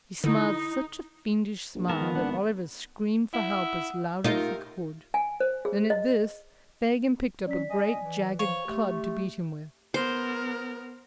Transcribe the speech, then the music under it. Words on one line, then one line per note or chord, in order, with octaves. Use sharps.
He smiled such a fiendish smile that Oliver screamed for help as loud as he could, and at this Fagin picked up a great jagged club to beat him with.
D3 D#4 E4
A#1
G#2 B3 A#4 A5
F3
G#1 D4 F#5
E4 F#5
F#5 D#6 E6
D#4 F4 G4 A#4 E5 G6
G#5
C5
G#4
D#5
F#3 C#4 D5 B6
D#5 G#5
E3
C5 C#5 F5
A3 G4 C6
B3 A#4 C5